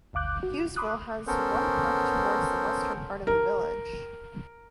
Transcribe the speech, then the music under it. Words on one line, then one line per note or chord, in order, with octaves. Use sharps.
Hughesville has one park towards the western part of the village.
G1 D2 F5 D6 F#6 G6
F#4
B5 C6 D6 D#6 F#6
B3 C#4 A4 A#4 C5
A#4